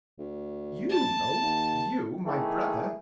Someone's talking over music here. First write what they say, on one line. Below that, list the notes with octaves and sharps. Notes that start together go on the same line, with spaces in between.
"You know,--you, my brother."
D2
A5
D#2
D#3 E3 A3 G#4